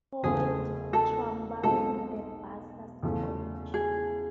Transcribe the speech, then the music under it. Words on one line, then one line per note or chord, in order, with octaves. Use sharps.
Some called Trumbull the bursar's college.
F#1 E2 C#3 F3 A3 G#4
A4
B1 B2 G#3 C4 F4 A4
E2 C#3 F3 A3 C#4
G#4